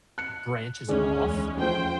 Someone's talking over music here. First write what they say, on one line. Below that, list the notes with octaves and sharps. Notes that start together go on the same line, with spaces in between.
branches off.
F#6 C#7
D2 D#3 G#3 C#4 G#4 D5
E2
F3 A3 C#4 C5 G5